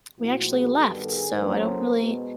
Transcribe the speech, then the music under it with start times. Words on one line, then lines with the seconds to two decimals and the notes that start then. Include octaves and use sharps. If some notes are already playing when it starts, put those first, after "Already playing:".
we actually left, so I don't really
0.18 A#2 F3 A3 C4 E4 F#4
0.47 F#4 G#4
0.75 G2 D#3 G3 B3 G4 A4
1.05 G#4 A#4
1.34 A2 F#3 A#3 C#4 A#4 C5
1.92 B2 G#3 B3